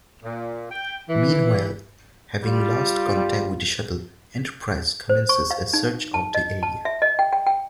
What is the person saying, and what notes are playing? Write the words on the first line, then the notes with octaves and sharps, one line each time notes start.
Meanwhile, having lost contact with the shuttle, "Enterprise" commences a search of the area.
A#2
G5
E3
G3 F4
C5
C#6
F5
D#4
A5
D#5
A5
E5
D#5
G5
G5
G5